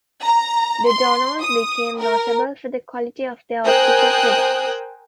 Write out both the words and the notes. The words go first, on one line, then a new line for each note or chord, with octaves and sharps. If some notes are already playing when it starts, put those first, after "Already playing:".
The Dollonds became notable for the quality of their optical products.
A#5
C6
D#6
A#4
A#4 C5 G5 G#5 D#6 F#6